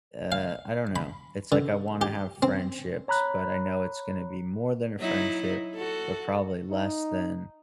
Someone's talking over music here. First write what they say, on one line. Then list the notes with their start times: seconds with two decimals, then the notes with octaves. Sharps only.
uh I don't know, it's like I wanna have friendships, but I know it's gonna be more than a friendship, but probably less than,
0.32 F5
0.96 B5
1.52 D3
2.01 G4
2.43 C4
3.08 C#5 A#5 B5 F#6
4.99 F#3 D#4 E4
5.75 F#4 A4
6.71 D#4